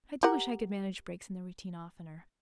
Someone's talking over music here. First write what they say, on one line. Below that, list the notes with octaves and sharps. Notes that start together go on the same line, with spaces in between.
I do wish I could manage breaks in the routine oftener.
G4 A#4 F#5